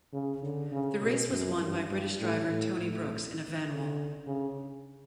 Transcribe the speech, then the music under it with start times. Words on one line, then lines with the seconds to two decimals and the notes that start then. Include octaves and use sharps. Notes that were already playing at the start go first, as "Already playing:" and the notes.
The race was won by British driver Tony Brooks in a Vanwall.
0.13 C#3
0.42 D3
0.72 C#3
1.01 B2
1.31 F#2
1.60 G2
1.90 G2
2.20 A2
2.49 A2
2.78 A2
3.68 D3
4.26 C#3